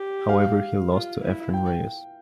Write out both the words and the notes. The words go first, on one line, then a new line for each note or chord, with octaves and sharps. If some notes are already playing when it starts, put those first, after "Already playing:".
However, he lost to Efren Reyes.
Already playing: G4
F5
F4
E4
G5